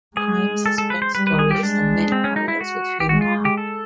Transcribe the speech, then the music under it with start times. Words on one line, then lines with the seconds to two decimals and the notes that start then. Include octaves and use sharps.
"Crime SuspenStories" had many parallels with "film noir".
0.16 G#3 G#4
0.66 A4
0.78 A4
0.90 B4
1.02 C5
1.15 G3 B4
1.27 B4
1.39 G#4
1.51 G4
1.62 G#3 D4
2.12 C4
2.24 C#4
2.36 D#4
2.48 E4
2.61 F#4
3.00 G4
3.09 G#3 F#4
3.21 F4
3.45 G4
3.57 A4